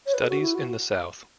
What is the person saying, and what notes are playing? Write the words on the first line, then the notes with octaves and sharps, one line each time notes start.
Studies in the South.
C#5
B4
A4
F#4
E4
F#4